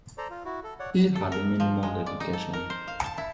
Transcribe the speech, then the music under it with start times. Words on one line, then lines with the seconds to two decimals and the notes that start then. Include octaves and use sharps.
He had minimal education.
0.18 A4 C5 D5 A#5
0.31 F4
0.45 E4 F#4
0.64 A4
0.79 C#5 D5 F#5
0.96 A2
1.15 A4
1.32 A#4
1.60 F3
1.83 G#3
2.06 D5
2.20 D#4
2.33 A4
2.53 A#4
2.70 C5
2.87 F5
3.04 A5
3.18 E4